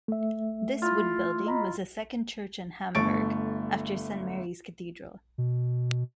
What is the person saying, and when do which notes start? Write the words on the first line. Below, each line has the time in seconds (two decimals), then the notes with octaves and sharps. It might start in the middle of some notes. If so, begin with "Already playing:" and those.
This wood building was the second church in Hamburg, after Saint Mary's Cathedral.
0.08 A3 E5
0.82 E4 F4
1.46 D#5 A#5 B5
2.95 G1 A3 C#6 A6 D7
5.38 B2